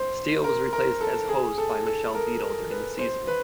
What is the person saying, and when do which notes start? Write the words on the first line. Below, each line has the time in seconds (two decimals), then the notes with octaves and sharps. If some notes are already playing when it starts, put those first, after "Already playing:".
Steele was replaced as host by Michelle Beadle during the season.
Already playing: C5
0.44 A#4
0.73 A#4
1.01 A4
1.29 G#4
1.58 A4
1.86 A4
2.15 A#4
2.43 A#4
2.71 B4
2.99 C5
3.27 B4